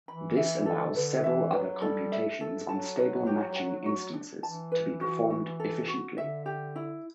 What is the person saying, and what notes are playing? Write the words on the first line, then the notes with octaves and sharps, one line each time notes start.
This allows several other computations on stable matching instances to be performed efficiently.
E3 B5
E5
A4
C3
D3 B4
E3 E5
F#3 B4
G3 A4
E5
A4
F#3 A5
B4
G4
F#5
F#4
D4
E3 A5
B4
F#4
F#4
A4
F#4
D3 E5
G4
E4